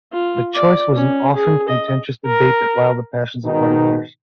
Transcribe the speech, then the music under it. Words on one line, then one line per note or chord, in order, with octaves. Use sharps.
The choice was an often contentious debate that riled the passions of party leaders.
F4
D5
C#4
G#4
D#5
A#4
G#2 B2 D#3 D#4